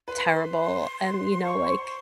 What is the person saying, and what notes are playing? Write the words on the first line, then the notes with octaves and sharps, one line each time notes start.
terrible and, you know, like,
B4 C6
C5 C#6
C5
C6